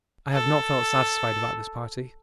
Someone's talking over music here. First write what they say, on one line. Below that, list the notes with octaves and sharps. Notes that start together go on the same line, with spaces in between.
I have not felt satisfied about this party.
A4